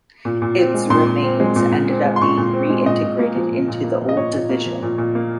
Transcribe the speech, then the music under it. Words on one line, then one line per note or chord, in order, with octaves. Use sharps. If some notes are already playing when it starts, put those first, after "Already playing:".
Its remains ended up being reintegrated into the old division.
A#2
A#2
C4
G#3
A#2 C6
A#2
C4
G#3
A#2
A#2
C4
G#3
C6
A#2 C#6
A#2
C4
G#3
A#2 D#5
A#2
A#3
F3
A#2
A#2
A#3
F3
D#5
A#2 C#5
A#2
A#3
F3
A#2
A#2
A#3